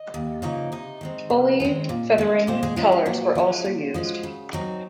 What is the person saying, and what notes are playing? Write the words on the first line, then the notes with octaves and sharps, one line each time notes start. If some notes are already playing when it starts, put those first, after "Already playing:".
Fully feathering propellers were also used.
Already playing: D#5
D#2
C#3 F3 A#3 D#4
C3 D#4 D#5
D#3 G#3 C4
C3
D#3 G#3 C4
A#2
G#3 C#4
A#2 C4 C5
G#3 G#4
G#3 C#4 F4
F4
A#2 F#3 F#4
F3 G#3 C#4
A#2
F3 G#3 C#4
C#3
F#3 C4 D#4